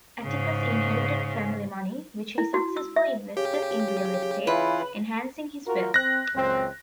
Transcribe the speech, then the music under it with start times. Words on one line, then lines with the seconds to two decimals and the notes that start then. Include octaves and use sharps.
Atticus inherited family money, which he successfully invested in real estate, enhancing his wealth.
0.21 G#2 C#3
2.38 E4
2.54 F#4
2.77 E6
2.96 E5
3.37 C#3 G4
4.47 E3 E4 F4 B4
5.66 F4 F#4 A#4
5.94 C4 F#6 A#6
6.35 C#2 F#2 C4